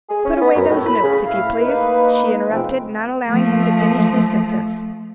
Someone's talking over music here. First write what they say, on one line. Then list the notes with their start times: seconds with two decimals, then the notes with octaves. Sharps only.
"Put away those notes, if you please," she interrupted, not allowing him to finish his sentence.
0.09 G#4
0.25 C#4
0.41 B3
0.55 F#2
0.69 A2
0.85 B5
1.03 C#3
1.24 A2 E4 F5
1.59 A#3 D#4 B4
2.48 C3 F3 G#3 A3 C4
3.28 F3 A3